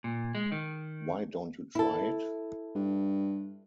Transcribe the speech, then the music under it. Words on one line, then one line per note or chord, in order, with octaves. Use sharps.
Why don't you try it?
A#2
G#3
D#3
E4 A4
G2